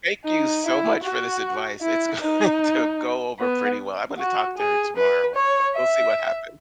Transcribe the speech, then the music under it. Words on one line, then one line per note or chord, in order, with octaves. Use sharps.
Thank you so much for this advice, it's going to go over pretty well, I'm gonna talk to her tomorrow. We'll see what happens.
D#4
E4
F#4
E4
D#4
B3
F#4
G#4
B4
C#5
E5